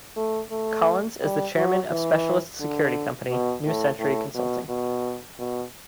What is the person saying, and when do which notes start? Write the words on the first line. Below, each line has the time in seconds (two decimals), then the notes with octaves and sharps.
Collins is the Chairman of specialist security company, New Century Consulting.
0.16 A3
0.51 A3
1.21 G3
1.56 F#3
1.91 E3
2.60 D3
3.30 B2
3.66 A2
3.99 A2
4.35 B2
4.69 B2
5.39 B2